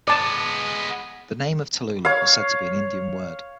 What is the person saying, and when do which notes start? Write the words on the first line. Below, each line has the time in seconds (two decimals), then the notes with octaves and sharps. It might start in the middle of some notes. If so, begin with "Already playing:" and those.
The name of "Tallula" was said to be an Indian word.
0.08 G#3 B3 D5 A5
2.05 C#5 F5